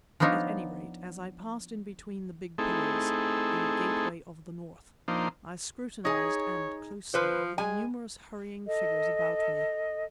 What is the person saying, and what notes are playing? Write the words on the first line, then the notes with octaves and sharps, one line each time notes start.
At any rate, as I passed in between the big pillars, "The gateway of the North," I scrutinized, and closely, the numerous hurrying figures about me.
F3 B3 D4 D#4 F4 C#5
A3 C4 D#4 E4 G#4 A4
F3 A#3 D4 D#4 C5
D#4 G#4 C#5
F3 B4 C5
G#3 G#5
A4 D#5